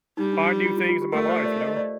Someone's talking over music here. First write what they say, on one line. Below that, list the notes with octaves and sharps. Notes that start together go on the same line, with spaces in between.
find new things in my life, you know?
G3 D#4
D4
F4
F4
F4
G4
A3 A#4
D5
C5
D5
D#5
D5